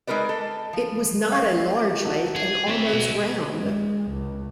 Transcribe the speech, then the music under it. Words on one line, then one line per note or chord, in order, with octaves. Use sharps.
It was not a large lake, and almost round.
G#3 D#4 A#4 B4 D5
A4
F3
C#5 F5
D#4 F#4 A4
G#4
C4 D4 E4 C#5 E5
B2
G#3
G#3
C#2